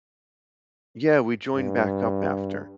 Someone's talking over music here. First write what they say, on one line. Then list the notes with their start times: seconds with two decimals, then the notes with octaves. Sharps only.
Yeah, we joined back up after.
1.56 G2